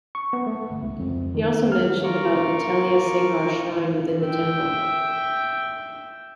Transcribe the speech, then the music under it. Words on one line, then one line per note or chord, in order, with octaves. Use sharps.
He also mentioned about the Telliya Singar shrine within the temple.
C#6
B3
A3
G1
C#2
F2
D#3
F6
F4 A#4 C#6 D6 F6
E5 G5